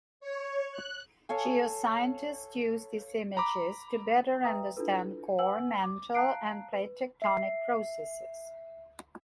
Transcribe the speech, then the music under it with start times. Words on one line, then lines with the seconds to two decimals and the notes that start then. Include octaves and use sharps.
Geoscientists use these images to better understand core, mantle, and plate tectonic processes.
0.20 C#5
0.71 F#6
1.29 A4 C#5 F5 G#5
3.37 A#5 B5 D6
4.44 B4 E5 G5 A#5 D#6
4.77 D4 E4 F4 A4 B4
5.39 B4 F#5 G#5 E6 F#7
5.83 D6
6.15 F5 A5 A#5 F#6 C7 D7
6.72 B4
7.22 E5 C7